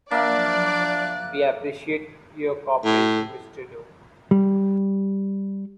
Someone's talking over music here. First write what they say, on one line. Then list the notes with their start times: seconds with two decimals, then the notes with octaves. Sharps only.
We appreciate your cooperation Mr Doe.
0.11 F3 F#3 A#3 D4 D5 E5 F#6
2.85 A2
4.31 G3